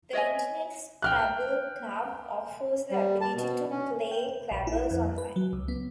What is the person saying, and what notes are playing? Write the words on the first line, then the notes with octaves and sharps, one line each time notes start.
The Internet Scrabble Club offers the ability to play Clabbers online.
C#5 D#5 E5 G#5
G5 F6 F#6
G3
A5
B2
C#4
G5
A#1
E4
F2
B4
F#3
C#2
B3